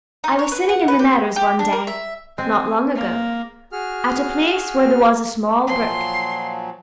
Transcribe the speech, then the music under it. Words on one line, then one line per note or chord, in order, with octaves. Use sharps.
I was sitting in the meadows one day, not long ago, at a place where there was a small brook.
D#4
C#5
B4
F#5
B4
G4
G4
D4
A#4
E5
G#3 C4 G#5
A#3
F#4 G#4 F6
A#2 F3 F#3 C6